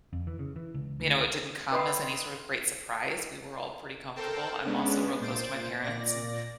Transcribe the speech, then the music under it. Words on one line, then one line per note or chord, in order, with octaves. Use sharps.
you know, it didn't come as any sort of great surprise, we were all pretty comfortable. I'm also real close to my parents, and,
F2
E3
C#3
E3
C#2
D2
B4 D#5 G5 B5 C6 D#6
A4 A#4 C5 G5 A5
G#3 B3 C#4 D4
A#2 C5 A6 D7
A#2 D5 A#6